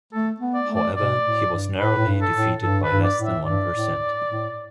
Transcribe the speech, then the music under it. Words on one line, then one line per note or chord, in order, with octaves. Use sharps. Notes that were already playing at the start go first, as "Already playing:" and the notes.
However, he was narrowly defeated by less than one percent.
A3 A4
B3
D5
A3
D5
B2 D5
A2
G2
A2 B4
A2
G2
A4
A2
G2 A4
B4
G2
D5
A2
E5
G2 D5
A2
A2